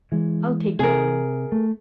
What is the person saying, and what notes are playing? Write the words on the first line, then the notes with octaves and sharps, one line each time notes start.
I'll take care on him.
E3 G#3
C3 G#4 A#4
A3